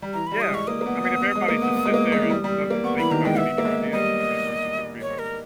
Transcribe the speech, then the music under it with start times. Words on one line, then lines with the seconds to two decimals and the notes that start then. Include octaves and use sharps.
Yeah. I mean if everybody's just sits there and doesn't think about any new ideas, I mean, we're just gonna be like
0.02 G3
0.13 E3 A#5
0.27 G3 B5
0.41 D#6
0.49 G#3
0.54 C#6
0.67 A#3 D#6
0.81 A#3
0.86 B3
1.04 B3
1.21 B3
1.35 G#3
1.48 A#3
1.62 B3
1.76 B3
1.85 G#3
1.94 A#3
2.12 G#3
2.22 E3
2.30 G3
2.44 G3
2.70 A#3
2.84 B3 C#6
2.97 E3 B5
3.11 D#3 A#5
3.25 G#3 G5
3.38 B3 E5
3.58 A#3
3.65 G#3
3.92 G3 D#5
5.01 C#5
5.19 A#4